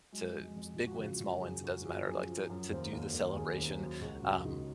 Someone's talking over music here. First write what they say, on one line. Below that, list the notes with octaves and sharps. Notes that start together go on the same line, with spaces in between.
to big wins, small wins, it doesn't matter, like, to to do the celebration, um,
F#3 G#3
F2
G#3
F2
F2 F4
F#4
C#3 F4
F#4
C#3
F#2 G#4
F#2 F#4
F3 G#4
F#2 G#4
F3
F#2
D#2 C5
D#2
D#2
D#2 G#4
D#2
F#3
C#2 F#4
C#3 F#4
C#2 D#4